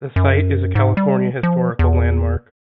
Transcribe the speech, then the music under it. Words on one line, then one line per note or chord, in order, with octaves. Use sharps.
The site is a California Historical Landmark.
F#2
G#2
G3
F3
E2